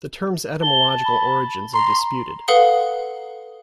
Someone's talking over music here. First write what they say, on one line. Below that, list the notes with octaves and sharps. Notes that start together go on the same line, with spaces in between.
The term's etymological origins are disputed.
A5 G7
B5
A#5 C6
A4 B4 F5 F#5 D#6 G7